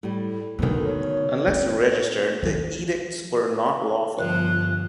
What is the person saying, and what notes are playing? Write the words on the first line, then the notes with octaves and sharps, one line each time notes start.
Unless registered, the edicts were not lawful.
A2 G3
D2 B2 D3 D#3 B3 A4
C#5
C4 D#4
D3 D#3
G1 F3 F#6